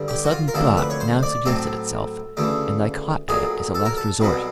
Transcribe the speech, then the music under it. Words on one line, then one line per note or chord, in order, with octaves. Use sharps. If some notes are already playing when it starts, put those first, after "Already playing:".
A sudden thought now suggested itself, and I caught at it as a last resort.
Already playing: G2 D3 G3
G4
F#4
F4
A#4
D2 C3 F3 A#3 A4
B4
C#5
C5
D5
A2 F#3 A3 C4 A4
D2 C#3 E3 A3
B1 A#2 F#3 G#4
A4
A#4
A4
C2 B2 F#3 B3